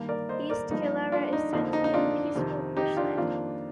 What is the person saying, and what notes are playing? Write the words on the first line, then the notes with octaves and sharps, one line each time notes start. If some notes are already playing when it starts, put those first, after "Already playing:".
East Killara is set in peaceful bushland.
Already playing: G2 D#3 A#3
A#4 D5
C5 D#5
A#4 D5
G2 F3 A#3 D#4
D4 F4
D#4
F2 D3 F3 A#3 D#4
D#4
D#4
D4 F4
F2 C3 D#3
D#4 G4
D4 F4
F2 D#3 A#3 D4 F4